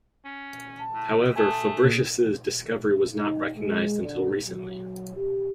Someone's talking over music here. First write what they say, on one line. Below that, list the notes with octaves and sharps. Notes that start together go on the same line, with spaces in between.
However, Fabricius' discovery was not recognized until recently.
C#4
A5
A2
A3 G#5 A5 D#6
A#2 A#3 G#4
D#4
G#3
D3
F#3
G4